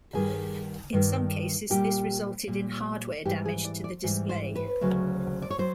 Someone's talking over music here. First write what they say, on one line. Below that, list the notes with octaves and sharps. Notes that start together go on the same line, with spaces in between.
In some cases this resulted in hardware damage to the display.
G2 D#3 G3 G#4
G2 D#3 G3
A#2 G3 G4
A#2 G3
G#2 E3 G3 G4
G#4
D5
D5
G#2 E3 G3
C5
B4
D2 C#3 F#3
D5
C#5
F#3 C5